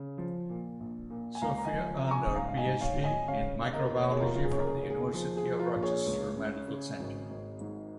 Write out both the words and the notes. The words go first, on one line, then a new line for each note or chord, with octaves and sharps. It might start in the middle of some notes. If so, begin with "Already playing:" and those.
Sofia earned her PhD in microbiology from the University of Rochester Medical Center.
Already playing: C#3
F3
A#2
A#1
A#2
G#5
C#2 F5 A#5
A#5
D#5 G#5
F3
C#3 A#5
G#5 C#6
G#2 F5 A#5
F5
D#5 G#5
G#2
C#5 F5
G#1
D#5 G#5
C#3 C#5 F5
D#2
A#4 D#5
D#2
C#5
D#5
G#4 C#5
F1 F4 A#4
F4
G#4
C#3 C#5
A#4
G#4
D#2
G#4
F3 G#4
G#4
F3
F4 A#4
A#1
G#4 C#5
C#2
C#3
C#3
G#1
G#1
G#2